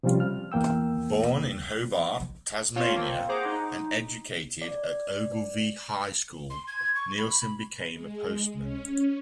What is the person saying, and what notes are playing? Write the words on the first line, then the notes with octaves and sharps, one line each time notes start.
Born in Hobart, Tasmania, and educated at Ogilvie High School, Neilson became a postman.
C3 F3 G3 C#4 F4
F6
E2 A#3 G5 E6
C4 F4 C#5 F5 A5
A#3 C4
G#4 C5 F#5 A#5 D6
D#4
D5
C6
G#6
C#6
B5
G#3
C#4